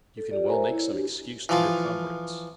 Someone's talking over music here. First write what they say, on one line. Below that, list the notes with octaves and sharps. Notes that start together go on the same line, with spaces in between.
You can well make some excuse to your comrades.
A4
F4 G4 D5
A#4 C5 C#5 E5 G#5 A#5
E4 C#5
D4 F#4 G4
E3 F3 F4